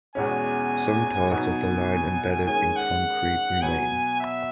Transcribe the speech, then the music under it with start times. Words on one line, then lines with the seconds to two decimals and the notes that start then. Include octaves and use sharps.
Some parts of the line embedded in concrete remain.
0.15 E2 B2 G#3 C#4 G#5
1.31 B2 F#3 B3 D#4 G#5
2.47 D#3 G#3 C#4 G#5
2.76 F#5
3.62 B2 F#3 B3 G#5
4.20 E5